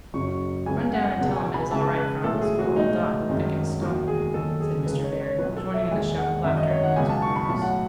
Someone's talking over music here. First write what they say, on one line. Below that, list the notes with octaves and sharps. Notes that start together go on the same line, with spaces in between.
"Run down and tell him it is all right, Franz, or old Dodd will think it is stolen," said Mr. Bhaer, joining in the shout of laughter at Nan's coolness.
F#1 F#2 C#3 F#3 C#6
C#2 C#3 F#3 G#5
F#5
C#2 B2 G#3 F#5
G#5
B5
C#2 C#3 G#3 A5
B4
B1 A2 E3 G#3 A4
G#4
F#4
B1 A2 G#3 D#4
G#1 F#2 D#3 G#3
E1 D#2 D#3 F#4
G#4
D#2 D#3 F#3 A4
G#4
C#2 C#3 G#3 B4
C#5
C#5
B1 B2 F#3 B4
A4
E5
E1 D#2 D#3 G#3 G#5
F#5
G#1 F#2 D#3 E5
D#5
C#5
F#5
C#2 B2 F#3 G#5
A5
C#6
B5
B1 A2 F#3 A5
F#5